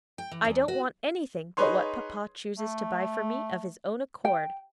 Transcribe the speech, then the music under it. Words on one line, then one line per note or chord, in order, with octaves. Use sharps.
I don't want anything but what papa chooses to buy for me of his own accord.
G5
E3
E2
F#4
D#4 G#4 B4 C#5 C6
A3
G5